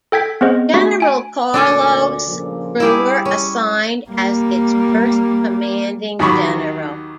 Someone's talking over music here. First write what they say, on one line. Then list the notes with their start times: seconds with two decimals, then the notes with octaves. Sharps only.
General Carlos Brewer assigned as its first commanding general.
0.12 A4 G5 G#6 B6
0.41 B3 C4 G#4 C5 D#5
0.74 A3 D4 F#4 B6
1.00 G#5 D7
1.54 D2 A#2 D4 A4 D5 G#5
2.27 A#2 C#3 F3
2.80 G3 E4 G4 G#4
3.25 C#4
4.10 G3 A#3
6.19 D#2 D#3 F#3 B5 C#6